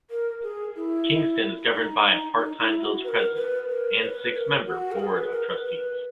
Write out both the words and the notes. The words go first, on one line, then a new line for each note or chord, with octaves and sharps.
Kingston is governed by a part-time Village President and six-member Board of Trustees.
A#4
G#4
E4
D#4
D#4
D#4
E4
F#4
B4
A#4
B4
A#4
C#5
B4
A#4
F#4
A#4
G#4
B4
A#4
B4
B4